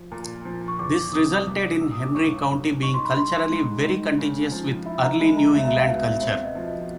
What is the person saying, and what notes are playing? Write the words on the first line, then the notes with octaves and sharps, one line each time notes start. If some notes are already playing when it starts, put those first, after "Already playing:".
This resulted in Henry County being culturally very contiguous with early New England culture.
Already playing: F3
A#2
F3
C#6
E2 D6
D6
C3 D#6
D#6
C2 D6
A#2 E6
D#6
D6
G1 C#6
F#2
D#4 C#6
C6
B5
G3 C6
G#2
D#3
C#3
F3
E4 B5
A#5
G#3 B5
A#5
C#2 E5
E5
F5
B2
E5
C4 E5
D#5
F3
E5